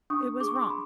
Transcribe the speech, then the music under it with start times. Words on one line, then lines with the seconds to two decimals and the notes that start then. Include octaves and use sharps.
It was wrong.
0.10 D4 C#6 D#6
0.40 G#4 D6
0.48 C#6
0.56 C6 D6
0.70 B5